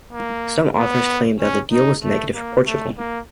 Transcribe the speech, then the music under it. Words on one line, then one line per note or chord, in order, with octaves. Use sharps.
Some authors claim that the deal was negative for Portugal.
A#3
B3
C#4
D#4
A3
A#3
A3
A#3